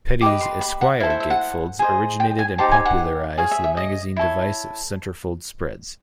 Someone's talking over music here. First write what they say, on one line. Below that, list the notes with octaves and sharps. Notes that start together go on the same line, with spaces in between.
Petty's "Esquire" gatefolds originated and popularized the magazine device of centerfold spreads.
G4 B4 D#5 D6
C6
B5
F#5
E4 A4 C5 F5
E5
E5
F#5
G#4 C5 D#5
G5
G#5
D#4 G4 C5 A5
G#5
F#5
G#4 C#5 F5
E5
E5
D#5
E4 A4 C#5